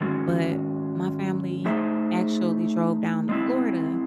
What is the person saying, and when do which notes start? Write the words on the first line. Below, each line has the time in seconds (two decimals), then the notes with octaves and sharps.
but my family actually drove down to Florida,
0.01 G#2 D#3 G#3 C#4 F#4
1.65 A3 D#4 G#4 C5 E5
3.29 G#3 C4 E4